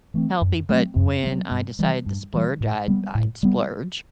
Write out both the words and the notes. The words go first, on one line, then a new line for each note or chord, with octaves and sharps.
healthy, but when I decided to splurge, I'd I'd splurge
E3 A3 C4
F#2
F#3 A3 C4
F#2
F#3 A3 C4
G2
E3 G3
G2
E3 G3
A2
G3 B3
A2
G3 B3